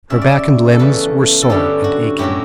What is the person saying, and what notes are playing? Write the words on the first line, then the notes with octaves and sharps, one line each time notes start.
Her back and limbs were sore and aching.
C#3 G3 C#4 E4 E5
D5
E5
A4
E2 C#3 E3 A3 B4
A4
G2 D3 G3 C#4 E4 G4
F#4
A2 F#3 C#4 E4 G4